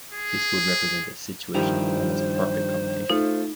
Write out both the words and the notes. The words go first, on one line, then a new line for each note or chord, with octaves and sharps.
This would represent a situation of almost perfect competition.
G#4
G2 D#3 F3 E4 G4 C5 F7
A3 D#4 F4